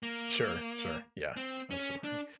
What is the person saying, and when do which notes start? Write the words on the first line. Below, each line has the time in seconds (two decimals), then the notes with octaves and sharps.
Sure, sure, yeah, absolutely.
0.03 A#3
1.37 C4
1.71 C#4
2.04 D4